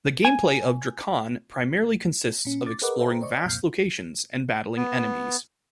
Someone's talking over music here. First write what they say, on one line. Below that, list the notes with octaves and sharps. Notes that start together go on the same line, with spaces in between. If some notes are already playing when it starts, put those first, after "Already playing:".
The gameplay of Drakan primarily consists of exploring vast locations and battling enemies.
G#5
A#2 C#4
D6 A6
G#4 A#4 B4 D#5 F#5 D6
A4 B4 C5 E5 G5 A#5
C5 D5 D#5 C#6
C2 F2 A#2 F6 G6 C7
B3